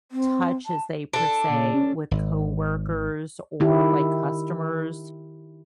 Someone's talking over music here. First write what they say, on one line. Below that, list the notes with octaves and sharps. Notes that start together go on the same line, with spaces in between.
touch, as they per se, with coworkers or, like, customers
C4
A5
D4 A4
A#2
C#4
G#1
D#3 E4 G4